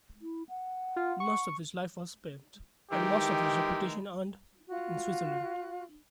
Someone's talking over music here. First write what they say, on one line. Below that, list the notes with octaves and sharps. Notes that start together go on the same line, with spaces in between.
Most of his life was spent, and most of his reputation earned, in Switzerland.
E4
F#5
F4
C#6
D#3 E3 G#3 G4
F4 F#4 F#6